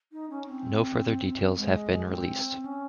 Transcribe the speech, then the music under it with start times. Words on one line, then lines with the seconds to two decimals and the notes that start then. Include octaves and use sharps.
No further details have been released.
0.12 D#4
0.30 C#4
0.47 C4
1.55 G#3
2.08 C4
2.62 C#4